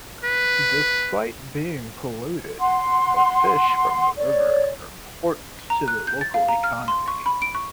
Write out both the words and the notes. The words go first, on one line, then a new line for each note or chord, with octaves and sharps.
Despite being polluted, the fish from the river are important to the local economy.
B4
F#5 C6
C#5 D5
A#5
F#6
G6
A6
F5
A#5
F6
C6
C#6
B5
D7
C#6